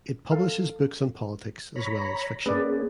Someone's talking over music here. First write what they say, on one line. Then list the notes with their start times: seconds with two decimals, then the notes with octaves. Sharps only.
It publishes books on politics as well as fiction.
0.32 A4 F5
1.76 C#5 A#5 B5
2.46 A#3 C#4 G#4 B4 D5